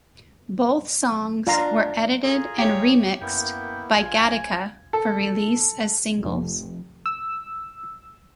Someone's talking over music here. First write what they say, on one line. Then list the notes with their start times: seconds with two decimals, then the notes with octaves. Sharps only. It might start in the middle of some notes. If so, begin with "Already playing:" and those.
Both songs were edited and remixed by Gatica for release as singles.
1.47 D4 F4 F5 A#5
2.23 F4 G#4 A4 A#5
2.58 D1 G4 C#5
3.21 F#2 A#3 B3 E4 G5
3.97 A#1 F4 G#5
4.93 A4
6.20 F1
7.06 E6